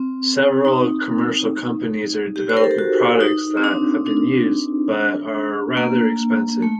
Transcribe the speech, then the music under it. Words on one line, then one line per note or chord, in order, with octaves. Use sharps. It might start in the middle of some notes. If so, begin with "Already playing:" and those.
Several commercial companies are developing products that have been used, but are rather expensive.
Already playing: C4
D#4
G4
C5
A#4
A4
G4
F#4
D#4
C4
D4
D4
A#3
A3